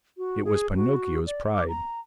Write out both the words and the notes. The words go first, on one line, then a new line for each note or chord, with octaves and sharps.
It was Pinocchio's pride.
F#4
G#4
F#4
D5
D6
A#5